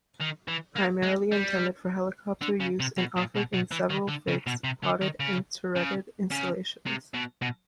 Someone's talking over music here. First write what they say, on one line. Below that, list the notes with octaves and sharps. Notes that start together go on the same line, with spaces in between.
Primarily intended for helicopter use and offered in several fixed, podded, and turreted installations.
D#3
E3
A#3
G#3
G3
D3
C#3
C3
B2
A#2
B2
B2
E3
D#3
D3
C#3
B2
C3
D3
D#3
C#3
C#3
C#3
C3
B2
B2